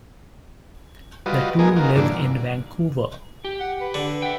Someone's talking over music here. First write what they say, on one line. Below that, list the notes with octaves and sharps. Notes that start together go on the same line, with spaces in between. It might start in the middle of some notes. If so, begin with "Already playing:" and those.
The two live in Vancouver.
G3 F4 F#4 B4 D#5
G#3 A#3 B3 D#4 G#4 A#4
D#4 F4 F#4 A#4
G2 A#2 D3 E3 D4
G4
F#5
B4
D3
E5 F#5 G5